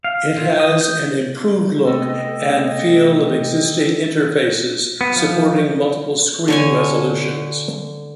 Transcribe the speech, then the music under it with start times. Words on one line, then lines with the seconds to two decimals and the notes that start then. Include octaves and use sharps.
It has an improved look and feel of existing interfaces, supporting multiple screen resolutions.
0.04 F5
0.37 F4
0.60 D#5
0.81 G6
1.86 C3 A3 B3 G4 A4 D#5
5.01 B3
5.16 F3
6.48 D3 C#5 G#5